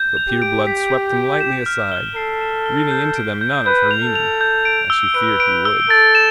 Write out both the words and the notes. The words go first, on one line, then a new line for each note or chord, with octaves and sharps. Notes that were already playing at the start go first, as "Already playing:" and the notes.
But Peter Blood swept them lightly aside, reading into them none of her meaning, as she feared he would.
Already playing: G6
F7
G4
D7
B6
D7
D7
E7
F6
G7
A4 C7
E7
G7
G6
D7
G6
B4 G6
F7
A4
F7
G6
D7
E6
B4 D7
D7
E6
A4 A6
E7